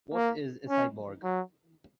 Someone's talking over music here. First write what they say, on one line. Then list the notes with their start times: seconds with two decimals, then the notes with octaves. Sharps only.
What is a cyborg?
0.15 A#3
0.69 C#4
1.24 F#3